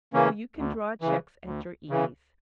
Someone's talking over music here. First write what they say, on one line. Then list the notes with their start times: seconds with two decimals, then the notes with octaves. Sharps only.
So you can draw cheques at your ease.'
0.13 C#3 E3 A#3 C#4
0.57 D2
1.02 C#3 E3
1.45 D2
1.89 C#3 E3